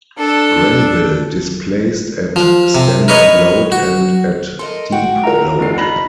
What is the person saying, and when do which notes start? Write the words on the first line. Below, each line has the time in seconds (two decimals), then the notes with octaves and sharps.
"Grenville" displaced at standard load and at deep load.
0.19 D4 A4
2.36 F3
2.75 C3
3.08 A#4 B4 C#5 D#5
3.72 F#4
4.59 A4 A#4 D#5 C6
4.92 F#4 F#5 G5
5.24 E4 F4 A#4 A#5
5.59 F#1 E2 C7
5.78 D#4 B5 A#6